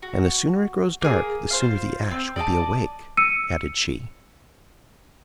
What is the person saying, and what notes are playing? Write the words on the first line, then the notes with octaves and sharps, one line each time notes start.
"And the sooner it grows dark, the sooner the Ash will be awake," added she.
F#4
A#3 G#4
F4 C5 F5
C4
D5 D#5 G5 A5
E6 C#7 D#7